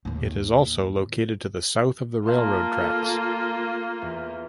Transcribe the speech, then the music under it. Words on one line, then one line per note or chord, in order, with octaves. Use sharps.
It is also located to the south of the railroad tracks.
D#2 A2
A#3 F4 F5 A5 C6
A4
E2